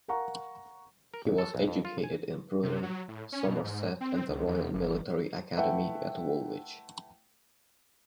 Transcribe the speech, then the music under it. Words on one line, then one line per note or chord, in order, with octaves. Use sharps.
He was educated in Bruton, Somerset and the Royal Military Academy at Woolwich.
A#4 F5 F#5 A#5 C#6
A#4
G#1
A4
B1
F2
F4
G#5
C3
F#3
A2
C#4
B2
G#2
C4
C#2
E2
G1
A3 E4 B4 E5 F#5 G5